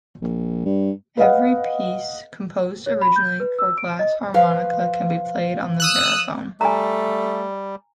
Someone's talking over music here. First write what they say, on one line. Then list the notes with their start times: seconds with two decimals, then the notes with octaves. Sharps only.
Every piece composed originally for glass harmonica can be played on the verrophone.
0.22 A#1
0.65 G2
1.17 B4 D#5 F5 F#5
2.86 C#5
3.02 B5
3.16 G6
3.40 B4
3.59 E6
3.78 D7
3.99 D#5
4.34 F3 B4 F5
5.80 D#6 E6 F#6
6.61 G3 A3 G#5 A#5